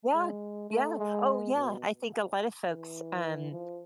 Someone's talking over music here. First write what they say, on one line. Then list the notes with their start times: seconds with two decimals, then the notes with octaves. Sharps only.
Yeah. Yeah. Oh, yeah, I think a lot of folks, um,
0.14 G#3
0.70 A3
0.98 G#3
1.55 B2
2.67 E3
3.52 F3